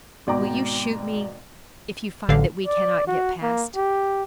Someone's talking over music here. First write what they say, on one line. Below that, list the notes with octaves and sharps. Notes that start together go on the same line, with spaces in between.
"Will you shoot me if you find that we cannot get past?"
G#1 B2 D5 G5 A#5 D6
A1 D3 F5
D5
F#4
A#3
G4